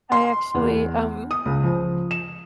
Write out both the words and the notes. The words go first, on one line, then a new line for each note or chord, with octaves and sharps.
I actually, um,
C6
E2
D#6
C#2
F3
E7